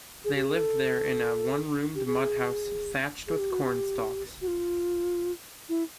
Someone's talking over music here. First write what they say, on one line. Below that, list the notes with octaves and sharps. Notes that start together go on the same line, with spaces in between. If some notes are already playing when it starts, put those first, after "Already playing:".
They lived there in a one-roomed mud house thatched with corn stalks.
G#4
G4
G#4
A4
G4
G#4
G#4
G4
F#4
G4
F#4
F4
E4